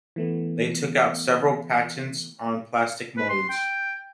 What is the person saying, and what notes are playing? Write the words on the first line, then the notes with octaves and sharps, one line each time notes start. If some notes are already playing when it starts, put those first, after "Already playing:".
They took out several patents on plastic molds.
E3 A3 B3
B4
C6
G5